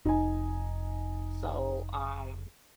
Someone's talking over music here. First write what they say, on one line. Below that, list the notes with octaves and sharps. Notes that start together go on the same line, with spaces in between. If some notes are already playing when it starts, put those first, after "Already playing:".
So, um
F1 D#4 G#5